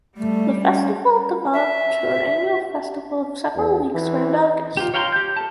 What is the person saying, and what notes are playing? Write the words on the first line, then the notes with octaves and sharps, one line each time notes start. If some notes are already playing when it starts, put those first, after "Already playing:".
The festival developed to an annual festival of several weeks around August.
G3 A3
C#4
E5
E2
E3
F4 G4
C#5 F5 G5 A#5 C6
G4 G6
A4 A5